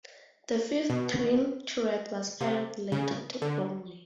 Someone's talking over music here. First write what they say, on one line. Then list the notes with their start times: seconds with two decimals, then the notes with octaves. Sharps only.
The fifth twin turret was added later to only.
0.90 B2
2.41 C3
2.92 C#3
3.42 D3